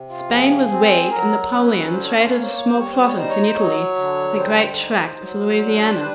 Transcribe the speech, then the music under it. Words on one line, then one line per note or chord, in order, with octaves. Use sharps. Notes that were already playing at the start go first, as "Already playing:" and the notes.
Spain was weak, and Napoleon traded a small province in Italy for the great tract of Louisiana.
Already playing: C3
F4
F3 G#4
C4
F#3 A#4
C#4 B4
D3 C5
C#5
C5
A#3 C#5
C5
C#5
C5
G3
C#5
C5
C#5
D#4 C5
C#5
C5
F#3 C#5
D3
G3 C5
D#4
F#3
D4
G3 B4